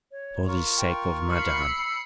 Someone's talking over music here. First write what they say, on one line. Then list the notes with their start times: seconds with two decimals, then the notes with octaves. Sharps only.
For the sake of Madame.
0.12 C#5
0.48 F4 A#4 C#6
0.78 G5
1.31 B5 F6 C7 C#7
1.61 E6